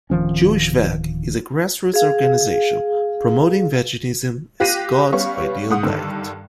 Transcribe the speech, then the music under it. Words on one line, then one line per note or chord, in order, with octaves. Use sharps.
Jewish Veg is a grassroots organization promoting veganism as "God's ideal diet".
D1 D#3 F3 C#4
G#4 F5
F4 G4 F#6 A#6 C7 D#7
G3 B3 C#4 F5 C#6
G#2 F#5 D#6
G2 D3 D#3